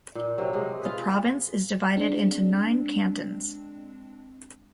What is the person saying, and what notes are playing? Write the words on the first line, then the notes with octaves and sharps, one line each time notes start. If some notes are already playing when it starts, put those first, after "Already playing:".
The province is divided into nine cantons.
A#2
C3 F#3
C3 G#3
F4 G#4 B4
G#3 C4 D4